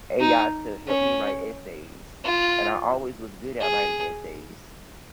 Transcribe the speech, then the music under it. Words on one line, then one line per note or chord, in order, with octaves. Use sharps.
AI to help me write essays, and I always was good at writing essays.
D#4
C#4
F4
G#4